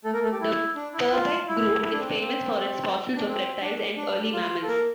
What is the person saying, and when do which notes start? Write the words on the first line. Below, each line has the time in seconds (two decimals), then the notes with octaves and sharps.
The Purbeck Group is famous for its fossils of reptiles and early mammals.
0.05 A3 A4
0.13 A#3 A#4
0.23 A3 A4
0.32 G4
0.41 E4
0.76 D4
0.94 E4
1.12 F4
1.48 E4
1.83 E4
1.92 D4
2.00 C4
2.08 D4
2.19 C4
3.16 D4
3.26 C4
3.62 D4
3.97 D4
4.33 F4
4.62 A4
4.68 A#3 A#4